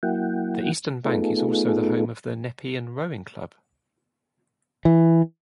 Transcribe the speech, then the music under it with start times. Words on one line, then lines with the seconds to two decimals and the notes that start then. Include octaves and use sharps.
The eastern bank is also the home of the Nepean Rowing Club.
0.03 F#3 A#3 E4 F#5 G5
1.05 A3 B3 D#4 F4 G#4 A4
4.85 E3